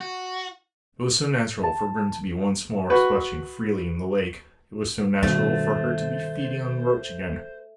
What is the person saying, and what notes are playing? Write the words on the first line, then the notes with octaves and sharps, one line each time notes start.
It was so natural for Grim to be once more splashing freely in the lake; it was so natural for her to be feeding on roach again.
F#4
A5
F#4 B4
G2 B2 D#3 A3 C5 A6